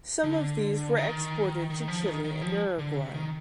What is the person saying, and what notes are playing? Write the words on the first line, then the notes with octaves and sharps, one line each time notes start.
Some of these were exported to Chile and Uruguay.
D3
D#3
D#3
F3
D#3
D#3
F3
D3
C3
D#3